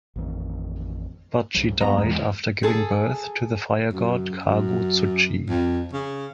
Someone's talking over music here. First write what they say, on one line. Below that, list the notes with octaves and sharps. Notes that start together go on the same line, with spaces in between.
But she died after giving birth to the fire-god Kagu-tsuchi.
A1 F2 D#3
C#2 F3 G3
F#2 F3 G3 B3 A#5
E2 E3 G#3
G#4 A4
F#2
F#2
F2
C#3